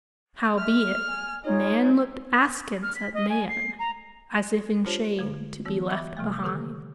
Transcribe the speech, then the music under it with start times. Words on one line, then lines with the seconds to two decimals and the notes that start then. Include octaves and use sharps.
Howbeit, man looked askance at man, as if in shame to be left behind.
0.57 E5 F6
1.06 G#5
1.44 D#4 F4 G#4 C#5 D#5
2.83 F6
2.95 B6
3.14 D#5
3.29 G#5
3.49 C7
3.79 A#5
4.85 D4 F4 G4 C5 C#5 A5
5.19 D3 G#3
5.65 E3 B3 F#4
5.90 D#5 E5 B5 C#6 D6 E6
6.17 C3 F3 G3 A3
6.43 D3 D#3 G4 A4 G6